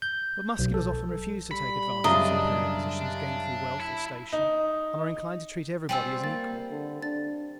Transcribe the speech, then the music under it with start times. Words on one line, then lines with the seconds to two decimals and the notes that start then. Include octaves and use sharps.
But Musculars often refuse to take advantage of superior positions gained through wealth or station, and are inclined to treat everybody as an equal.
0.02 G6
0.59 B1
0.74 A4
1.51 G3 B5
2.04 F#2 C#3 D4 D#5 E5 A#5
3.80 E4
4.32 D#4
5.89 G3 C4 F4 G5 G#5 E6
6.24 A#3 A6
6.70 D3
7.03 D4 A6